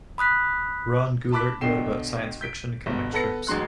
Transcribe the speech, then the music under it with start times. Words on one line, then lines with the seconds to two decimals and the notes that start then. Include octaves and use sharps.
Ron Goulart wrote about science fiction comic strips.
0.18 B5 D#6 F#6 B6
1.32 A5 B5 D6 F#6 B6
1.61 B1 B2 D3 G5 C7 E7
2.41 G6 B6 D7
2.86 G1 B2
3.12 B3 A4 B4 A#6 C#7
3.47 A1 F#3 G#3 C6 F#6